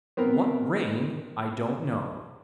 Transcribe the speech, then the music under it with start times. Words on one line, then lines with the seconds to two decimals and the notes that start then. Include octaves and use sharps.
What rain, I don't know.
0.17 B3 C4 A#4